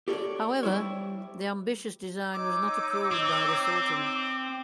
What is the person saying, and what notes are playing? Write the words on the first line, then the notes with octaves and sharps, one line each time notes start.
However, the ambitious design was not approved by the Sultan.
G4 A4 C#5 D5
G3 E4 C5 C#5
D#4 C#5 D6 E6
C4